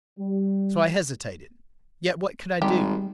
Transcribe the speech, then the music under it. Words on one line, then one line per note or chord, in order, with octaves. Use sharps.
So I hesitated, yet what could I do?
G3
G#1 G3 G4